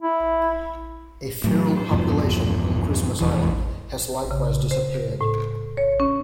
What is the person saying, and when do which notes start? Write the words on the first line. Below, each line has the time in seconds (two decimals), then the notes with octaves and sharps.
A feral population on Christmas Island has likewise disappeared.
0.02 E4
1.44 A2 F#3
1.91 E2 G2 B2 F3
3.21 F1 E2 E3
4.31 C#3
4.71 C5
5.21 A2
5.77 C#5
6.00 C#4